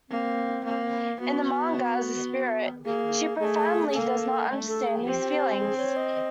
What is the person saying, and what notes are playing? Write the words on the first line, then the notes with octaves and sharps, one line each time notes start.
In the manga, as a spirit, she profoundly does not understand these feelings.
A#3 C4
A#3
B3 F#4
A#3 G#4
A3 G#4
G#4
A#3 A4
A3
A4
G#4
C4 G4
G#4
C#5
D#5